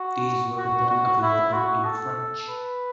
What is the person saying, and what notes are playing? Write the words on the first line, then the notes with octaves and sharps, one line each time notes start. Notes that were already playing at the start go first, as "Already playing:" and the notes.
These were then available in French.
Already playing: F#4
F#4
F#4
E4
F#4
A4
B4